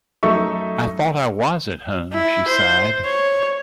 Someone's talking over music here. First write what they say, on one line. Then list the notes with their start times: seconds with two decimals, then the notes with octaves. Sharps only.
'I thought I was at home,’ she sighed.
0.23 F#2 A3 D#4 A4 E5 C#6
2.13 E4
2.48 C5
3.05 C#5